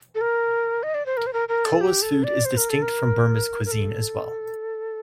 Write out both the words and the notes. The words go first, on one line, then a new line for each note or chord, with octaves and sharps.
Kola's food is distinct from Burma's Cuisine as well.
A4
A#4
D#5
D5
C5
A#4
C5
A#4
A#4
A4
G4
A4
D5
C5
A#4
A4
A#4
A#4
A4